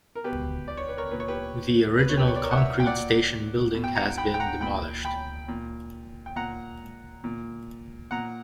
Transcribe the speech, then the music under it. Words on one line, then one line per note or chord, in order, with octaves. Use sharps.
The original concrete station building has been demolished.
A#4
B2 G4 B4
D5
C#5
B4
A#4 C#5
A#2 B4
C#5
G4 B4
B2 B4
C#5
G4 B4
C#5
D5
A#4 C#5
F#5
C#5 E5
G5
A#2 D5 F#5
B2
G5
F#5 A#5
G5 B5
G5
F#5 A#5
A#2 G5 B5
G5 B5
A#2
G5
A#2 F#5 A#5
A#2
A#2 F#5 A#5